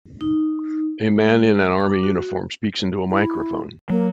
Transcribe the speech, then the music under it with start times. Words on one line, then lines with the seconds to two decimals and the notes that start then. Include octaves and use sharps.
A man in an army uniform speaks into a microphone.
0.21 D#4
1.12 G#3
1.80 D6
2.03 F#4
3.11 E4
3.90 F#3 A#3